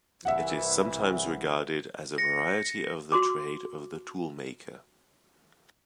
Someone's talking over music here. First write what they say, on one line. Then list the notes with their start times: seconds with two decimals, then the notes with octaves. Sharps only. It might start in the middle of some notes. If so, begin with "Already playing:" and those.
It is sometimes regarded as a variety of the trade of the toolmaker.
0.25 C2 E3 E5 F#5
2.18 A#6 C#7
3.12 F#4 C6 D6